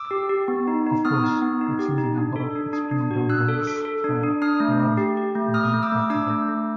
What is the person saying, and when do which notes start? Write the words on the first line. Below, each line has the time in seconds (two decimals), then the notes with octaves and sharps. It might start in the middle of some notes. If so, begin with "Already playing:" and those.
Of course, fixing the number of experimental runs "a priori" would be impractical.
Already playing: D6 E6
0.11 G4
0.29 G4
0.48 B3
0.68 D#4
0.86 D#4
1.05 B3 D#6 F6
1.24 D#4
1.42 B3
1.61 D#4
1.79 G4
1.98 D#4
2.18 D4
2.36 A4
2.55 D4
2.73 D4
2.91 D4
3.11 F#4
3.29 D4 E6 F#6
3.48 A4
3.67 A4
3.85 A4
4.04 D4
4.23 D4
4.42 D4 D#6 F6
4.60 A3
4.80 A3
4.97 G4
5.17 G4
5.35 A3
5.54 A3 D#6 F6
5.74 A3
5.82 D6 E6
5.92 A3
6.10 D4 D6 E6
6.29 A3
6.48 A3